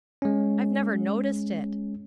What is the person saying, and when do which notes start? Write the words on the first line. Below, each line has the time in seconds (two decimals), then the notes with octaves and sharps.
"I've never noticed it."
0.22 G#3 C#4